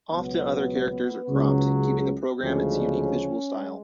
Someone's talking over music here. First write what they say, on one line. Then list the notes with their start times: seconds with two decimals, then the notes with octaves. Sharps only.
Often other characters are cropped, giving the programme its unique visual style.
0.12 C#2 B2 F#3 B3
1.26 C#2 C#3 F#3
2.40 D2 C#3 F3 G#3 C#4
2.69 D4
2.97 C#4
3.54 G#3